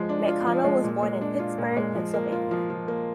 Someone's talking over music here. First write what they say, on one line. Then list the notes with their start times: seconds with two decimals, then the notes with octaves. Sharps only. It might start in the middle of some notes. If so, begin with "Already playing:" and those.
McConnell was born in Pittsburgh, Pennsylvania.
Already playing: F3 G#3
0.09 D4
0.28 F4
0.47 F3
0.65 G#3
0.84 A#2
1.03 G#3
1.21 D4
1.39 F4
1.58 A#2
1.77 G#3
1.95 F3
2.14 A#3
2.32 F4
2.51 F3
2.70 F3
2.88 A#3